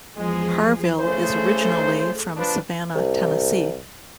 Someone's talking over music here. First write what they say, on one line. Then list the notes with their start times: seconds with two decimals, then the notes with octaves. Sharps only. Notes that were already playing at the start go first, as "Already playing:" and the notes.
Harville is originally from Savannah, Tennessee.
0.17 E2 F3 G#3 G#4
0.99 C#3 E3 A3 G#4 A4 C5
2.36 F3 D4 B4
2.95 C2